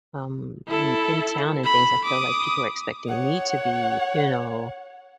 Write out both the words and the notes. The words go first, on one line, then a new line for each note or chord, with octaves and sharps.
um, in in town and things I feel like people are expecting me to be, you know,
E4 A4
B5
D6 D#6
C#5 F#5